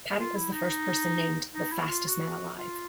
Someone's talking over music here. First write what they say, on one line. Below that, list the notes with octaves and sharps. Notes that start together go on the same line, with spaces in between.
Paddock was the first person named "The fastest man alive".
F4
E4
D#4
D#4
E4
F4
F#4
F4